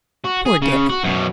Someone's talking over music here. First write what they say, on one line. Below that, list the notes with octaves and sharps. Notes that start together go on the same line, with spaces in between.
Poor Dick!
F#4
G#4
C#3
F#4
F#2 B2